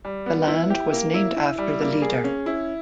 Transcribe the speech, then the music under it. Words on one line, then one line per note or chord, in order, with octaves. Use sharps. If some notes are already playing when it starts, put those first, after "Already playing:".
The land was named after the leader.
G3
B3
E4
G4
A#3
E4
E4
G3
A#3
G#4
C#4
E4